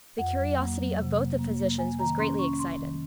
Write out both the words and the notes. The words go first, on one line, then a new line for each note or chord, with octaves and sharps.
The curiosity of both the physicians was greatly excited.
F2 F#5
F#3
A#3
F#3
C3
A#3
A#3
A#3
A#3 G#5
D#3 A#5
C#4 C6
C#4 C#6
C#4 C6
D#3